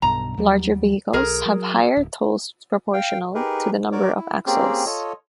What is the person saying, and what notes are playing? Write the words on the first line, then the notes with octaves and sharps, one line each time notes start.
Larger vehicles have higher tolls proportional to the number of axles.
B1 G2 B2 A#5
D#2 F#3 G3
B1 G#4 A#4
F#3
D1
F5 G5
D#4 G4 G#4 A#4 B4
F#4 A#4 C#5 D5 D6
E4
A#3 C4 C#4 G4 G#4
F4 A4 C#5 D#5